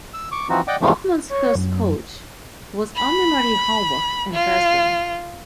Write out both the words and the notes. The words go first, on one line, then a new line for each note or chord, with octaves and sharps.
Hoffmann's first coach was Annemarie Halbach in Dresden.
E6
C#6 D6
E3 F3 C4 D#4 F#4
D5 D#5 F#5 G5 D6
E2 G#2 C3 E3 F3 A3
C#5
F#2
B5
F4